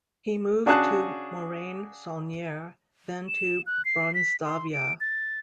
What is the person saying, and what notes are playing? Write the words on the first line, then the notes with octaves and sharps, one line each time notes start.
He moved to Morane-Saulnier then to Bronzavia.
C#3 D4 F#4 G#4 A5 F#6
E7
F#6
C7
B6
C6
D7
A6